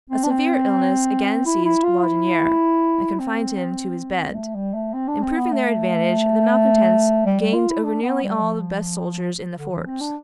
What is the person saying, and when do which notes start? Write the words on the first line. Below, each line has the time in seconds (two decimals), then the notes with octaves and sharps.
A severe illness again seized Laudonniere, and confined him to his bed. Improving their advantage, the malcontents gained over nearly all the best soldiers in the fort.
0.10 C4
0.23 D4
0.30 C4
1.45 E4
1.65 E4
1.84 F4
2.03 E4
3.19 C4
4.30 G3
4.35 A3
4.55 G3
4.74 A3
4.94 C4
5.08 D4
5.22 C4
5.37 B3
5.52 A3
7.25 G3
7.40 G3
7.54 F4
7.69 E4
7.83 D4
8.02 B3
8.23 G3
8.37 G3
8.41 F3
9.57 D3
9.72 E3
9.86 C4
10.01 D4